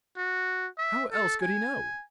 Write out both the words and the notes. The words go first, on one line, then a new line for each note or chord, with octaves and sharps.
How else could he know?
F#4
E5
A4
G#5